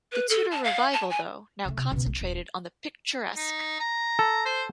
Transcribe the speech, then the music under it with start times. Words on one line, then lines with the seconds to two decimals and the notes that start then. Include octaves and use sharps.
The Tudor revival, though, now concentrated on the picturesque.
0.12 B4
0.29 A4
0.51 A5
0.64 F5
0.93 A5
1.09 G#5
1.65 C#3 A3
1.77 C3
1.91 C#2 B2
2.06 A#1
2.21 D#1
3.37 D#4
3.80 A#5
4.19 A4
4.45 C5